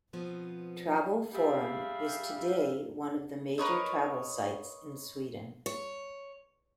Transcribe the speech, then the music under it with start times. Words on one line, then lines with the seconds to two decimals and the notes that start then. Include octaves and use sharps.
Travel Forum is today one of the major travel sites in Sweden.
0.13 B2 F3 B3 C4
1.33 G3 G4 G#4 E5 F5
3.58 A#4 B4 C#5 D#5
5.66 C#5